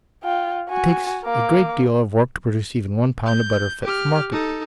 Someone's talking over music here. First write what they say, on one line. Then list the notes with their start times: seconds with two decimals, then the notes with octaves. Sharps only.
It takes a great deal of work to produce even one pound of butter fit for market.
0.23 F4 G5
0.69 F#4 G#5
1.24 A#3 D6
3.26 G6
3.84 G4 F6
4.31 D#4 A4